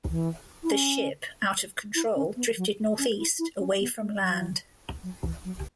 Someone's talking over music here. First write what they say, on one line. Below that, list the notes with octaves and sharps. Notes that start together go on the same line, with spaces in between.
The ship, out of control, drifted northeast, away from land.
E3
E4
C#4
E4
C#4
B3
F#3
C#4
E4
E4
C#4
B3
A3
F#3
F#3
E3
F#3